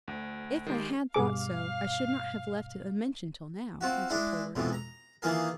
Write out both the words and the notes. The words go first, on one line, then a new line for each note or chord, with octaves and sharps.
"If I had thought so, I should not have left it unmentioned till now," answered Polwarth.
D2
D#3 G#3 G4
G2 B2 G#4 F5 G#5 D6
C4 F4 F#4
G#3 D4 E4
F2 G#2 B2 E3
A#5
D#3 E3 A#3 F4 G#4 A#4